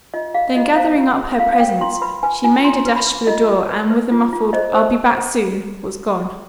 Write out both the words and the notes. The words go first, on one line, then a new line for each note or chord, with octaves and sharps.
Then gathering up her presents she made a dash for the door and with a muffled, "I'll be back soon," was gone.
F4 D#5
G#4 F5
F4 D#5
C5 F5
F4
G#4
F4 F5
F5
C5 G5
F4 C6
B4 B5
B4 G#5
F4 G#5
F4 C6
B4
B5
B4
F4 D#5
F4
B4
B4
F4
F4
C5 D#5
C5